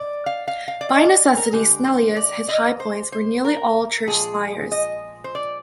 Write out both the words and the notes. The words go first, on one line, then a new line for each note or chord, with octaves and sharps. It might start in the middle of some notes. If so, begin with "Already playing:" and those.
By necessity Snellius his high points were nearly all church spires.
Already playing: D5
F5
F5
F5
D5
D#5
D5
A#4
D3 G#3 G4
C5
D5
D#5
C5
C5
A#4
A#2 F3 G#3 G#4
D#5
C5
D5